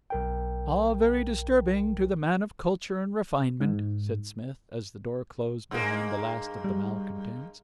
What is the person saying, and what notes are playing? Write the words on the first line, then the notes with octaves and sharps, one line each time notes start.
"All very disturbing to the man of culture and refinement," said Smith, as the door closed behind the last of the malcontents.
B1 A#4 G5
G#2
G2 G#3 A#3
G3